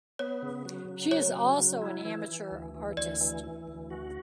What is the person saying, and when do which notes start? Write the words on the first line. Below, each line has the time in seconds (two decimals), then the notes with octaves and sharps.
She is also an amateur artist.
0.19 B3 C#5
0.42 C#3
0.65 F#3
0.89 C#3
1.11 F#3 C#5
1.35 C#3
1.58 F#3
1.82 E4
2.05 E3
2.29 E3
2.51 D2
2.74 E3
2.97 D2 D5
3.21 E3
3.44 E3
3.67 D2
3.90 F#4